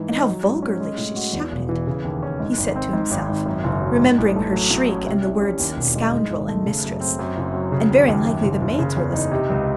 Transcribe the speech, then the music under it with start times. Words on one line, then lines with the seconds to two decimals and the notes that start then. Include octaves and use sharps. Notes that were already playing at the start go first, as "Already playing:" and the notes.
And how vulgarly she shouted," he said to himself, remembering her shriek and the words--"scoundrel" and "mistress." "And very likely the maids were listening!
Already playing: G#2 E3
0.10 D#4
0.28 F#3
0.45 G#2
0.62 C#4
0.80 G#3
0.98 A2
1.16 F#4
1.33 E2
1.52 E1
1.69 E3
1.87 C#3
2.04 D#2
2.23 C#4
2.40 G#2
2.57 G#1
2.76 C4
2.93 G#2
3.11 G#1
3.29 G#1
3.46 F#2
3.64 F#1
3.82 F#3
4.00 G#2
4.18 A1
4.36 A3
4.53 F#3
4.71 A2
4.89 C#4
5.06 C3
5.23 C2
5.42 C#4
5.59 D#2
5.76 E1
5.95 G#3
6.13 G#2
6.30 G#1
6.48 A3
6.66 C#3
6.83 F#2
7.01 C4
7.19 F#2
7.36 F#1
7.54 F#3
7.72 C#3
7.90 D#2
8.08 D#2
8.25 F#2
8.43 F#1
8.61 F#1
8.79 C#3
8.97 E2
9.14 D#4
9.31 C3
9.50 C#2